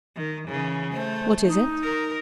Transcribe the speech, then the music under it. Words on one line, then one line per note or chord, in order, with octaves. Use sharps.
What is it?
D#3
C#3 E3
A3 C5
D#4
A#4